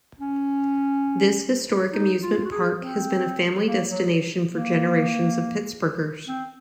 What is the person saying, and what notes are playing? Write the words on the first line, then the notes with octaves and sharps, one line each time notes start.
This historic amusement park has been a family destination for generations of Pittsburghers.
C#4
D#4
F4
F#4
G#4
C4
A#3
F#3
A#3
C4